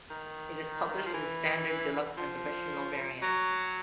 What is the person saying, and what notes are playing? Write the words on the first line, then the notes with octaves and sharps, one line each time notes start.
It is published in Standard, Deluxe, and Professional variants.
D#3
F3
E3
F3
F#3